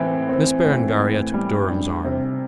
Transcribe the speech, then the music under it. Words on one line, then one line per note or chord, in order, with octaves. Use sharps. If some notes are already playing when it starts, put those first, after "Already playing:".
Miss Berengaria took Durham's arm.
Already playing: A2 E3 C4
C4
A2
A2
G3
D4
C3